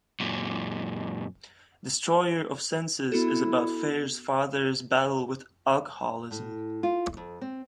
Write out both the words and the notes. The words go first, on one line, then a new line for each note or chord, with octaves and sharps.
"Destroyer of Senses" is about Fair's father's battle with alcoholism.
F#2 A#2
B3 E4 F#4 A4
A2
F4
F2
C4